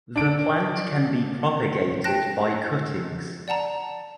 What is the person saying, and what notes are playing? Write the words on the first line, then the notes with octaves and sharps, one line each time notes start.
The plant can be propagated by cuttings.
D4 D7
G5 A5 F#6 A#6
D5 F#5 A5 A#5